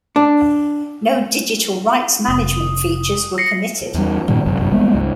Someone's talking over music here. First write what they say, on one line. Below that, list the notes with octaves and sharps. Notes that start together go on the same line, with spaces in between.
No digital rights management features were permitted.
D4
F1 D#6
A#6 C7 C#7
E2 G3
G2 A#2 D#3 G3
G1 C2 F#2
G3 G#3 A#3 B3
C#2 G#2